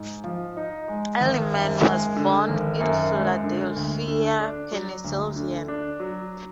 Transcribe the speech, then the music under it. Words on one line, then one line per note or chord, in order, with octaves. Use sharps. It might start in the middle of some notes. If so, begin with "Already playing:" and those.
Adleman was born in Philadelphia, Pennsylvania.
Already playing: G#2
F3
D#4
G#3
G#1
F#2
G#3
D3
G#1
F#2
G#3
D3
D2
D3
D4
F#3
D2
D3
D4
F#3